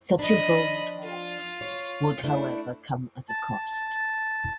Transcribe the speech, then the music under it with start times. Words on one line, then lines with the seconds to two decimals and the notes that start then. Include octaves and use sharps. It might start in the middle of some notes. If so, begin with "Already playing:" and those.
Such a bold move would however come at a cost.
0.19 F3 D4 D#5 B5
1.04 F4
1.61 C#5
2.24 A3 D4 E4
3.29 A5